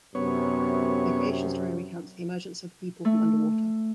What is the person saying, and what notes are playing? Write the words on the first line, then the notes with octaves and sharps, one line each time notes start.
Their creation story recounts the emergence of the people from underwater.
F#2 C3 B3 C#5
A3